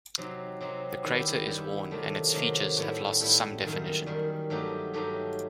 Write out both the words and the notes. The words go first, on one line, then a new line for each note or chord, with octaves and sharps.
The crater is worn and its features have lost some definition.
C3 F#3 C4 D#4
C3 F#3 C4 D#4
D#3 G3 B3 E4 G4
D#3 G3 B3 E4 G4
C3 D#3 F#3 A3
C3 D#3 F#3 A3
A2 G3 B3 E4
A2 G3 B3 E4
F#2 D#3 G3
F#2 D#3 G3
G2 F#3 A3 D#4 G4
G2 F#3 A3 D#4 G4